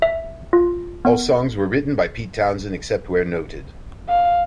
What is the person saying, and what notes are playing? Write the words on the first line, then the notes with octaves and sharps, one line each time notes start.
All songs were written by Pete Townshend except where noted.
E5
F4
B3
F5